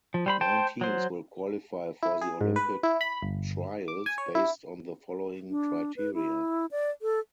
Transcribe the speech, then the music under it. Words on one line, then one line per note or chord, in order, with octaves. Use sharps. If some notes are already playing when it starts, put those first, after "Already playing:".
Nine teams will qualify for the Olympic Trials based on the following criteria.
F3
G3 C5 B5
C5 G5 A5
F#3 C5
E4
G#4
G#2
B4
E4
B5
G1
D6
G#5
C#5
E4
D4
B4
E4
D5
A4